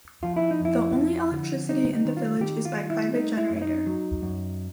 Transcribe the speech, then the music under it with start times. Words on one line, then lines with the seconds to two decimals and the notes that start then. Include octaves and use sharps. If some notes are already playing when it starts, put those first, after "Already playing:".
The only electricity in the village is by private generator.
0.23 F3 F4
0.36 E4
0.51 D#4
0.60 F2 E4
0.95 F3
1.31 D3
1.69 G3 D#4
1.93 D#4
2.05 D#3
2.17 F4
2.40 D#3 G4
2.65 F4
2.77 G3
2.90 E4
3.14 A3 D#4
3.37 E4
3.50 F#2
3.56 E4
3.62 D#4
3.87 F#3
4.22 F#2